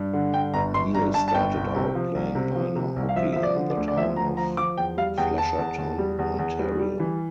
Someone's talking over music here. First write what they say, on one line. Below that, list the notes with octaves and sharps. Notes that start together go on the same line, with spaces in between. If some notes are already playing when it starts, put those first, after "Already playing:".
Neil started out playing minor hockey in the town of Flesherton, Ontario.
Already playing: G2
D3
G2 G5
G1 A#5
G1 C6
G2 A#5
G2 A5
A5
G1 G5
C2
C3
F3
C2
C3
F3
C3
C2
F5
F3 E5
F3 E5
D5
D3
D5
D2
D5
F3 E5
D2 A#5
F3 A#5
F3 D6
E2 G5
G3 F5
E2 G5
E2 A5
E2
E2
G3
E2
E2
G3
G3
E3